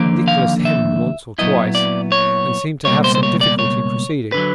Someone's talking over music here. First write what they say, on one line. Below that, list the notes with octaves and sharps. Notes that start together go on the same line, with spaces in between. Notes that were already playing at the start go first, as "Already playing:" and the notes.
Nicholas hemmed once or twice, and seemed to have some difficulty in proceeding.
Already playing: D#2 D3 F3 A#3
F5
E5
A#2 F#3 B3 E4 D#5
D5
C#5
C#2 B2 G3 A#3 C#5
C5
C5
C#5
D5
C#5
D3 F#3 B4